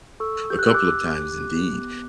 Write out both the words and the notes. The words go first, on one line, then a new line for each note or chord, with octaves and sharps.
a couple of times indeed,
A4 C#6 E6
G4 G6
F#6
E6
D6 F#6
G4
G4
G4
B3